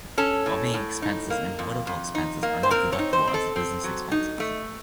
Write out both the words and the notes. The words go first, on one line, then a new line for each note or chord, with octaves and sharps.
Lobbying expenses and political expenses are not deductible as business expenses.
C#4 A4
A2
A2
D#4
A#3
F2
F2
D#4
A#3
C5
C4 A#4
C#5
D#4
C5
C4
A4
C4
F#3
D#4
A3